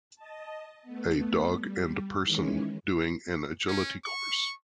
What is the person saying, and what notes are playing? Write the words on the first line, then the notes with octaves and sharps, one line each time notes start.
A dog and person doing an agility course.
D#5 A5
A3 B3
G3
D#3 E3 G#3 C#4
C#4
C#6